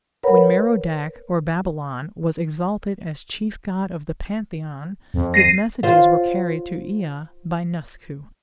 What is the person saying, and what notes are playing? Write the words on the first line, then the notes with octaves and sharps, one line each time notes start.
When Merodach or Babylon was exalted as chief god of the pantheon his messages were carried to Ea by Nusku.
A#4 B4 C#5 F#5 A#5 B5
F2
A#6 C7 D#7
F4 C5